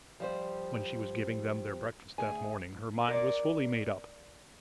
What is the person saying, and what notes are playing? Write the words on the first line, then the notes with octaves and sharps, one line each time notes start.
When she was giving them their breakfast that morning her mind was fully made up.
F3 G3 C5
D2 A2 G#4 G#5
A#4 D5